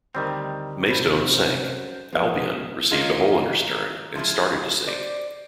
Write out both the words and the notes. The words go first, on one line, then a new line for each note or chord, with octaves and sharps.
"Maystone" sank, "Albion" received a hole in her stern and started to sink.
D2 D#3 G3 C4
C2 F#2 C3 B4 C5
F3 B3 G#4
D#3 A#3 C#4 D#4 F4 G#4
F3 G#3 E4 F4 G#4
C5 D5